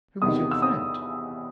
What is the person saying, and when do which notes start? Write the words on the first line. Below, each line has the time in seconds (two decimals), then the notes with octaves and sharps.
"Who is your friend?"
0.22 E2 C3 D#3 D#6
0.51 E6
0.62 D#6